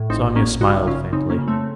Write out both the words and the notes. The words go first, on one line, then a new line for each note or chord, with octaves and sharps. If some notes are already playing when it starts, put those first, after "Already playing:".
Sonia smiled faintly.
Already playing: A2
A1 C4 D#4
A1 A#3 C#4
C#3 D#4 F#4
C#3 C#4 F4
C#3 C4 D#4
A#3 C#4
C#3
A3 C4